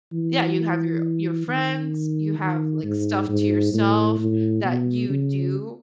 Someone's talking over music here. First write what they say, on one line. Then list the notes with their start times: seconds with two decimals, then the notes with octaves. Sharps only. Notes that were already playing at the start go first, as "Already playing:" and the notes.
Yeah, you have your your friends, you have like stuff to yourself that you do,
0.13 E3
1.48 D#3
2.39 D#3
2.83 G#2
3.29 G#2
3.74 A2
4.19 A2
4.64 B2
5.10 C#3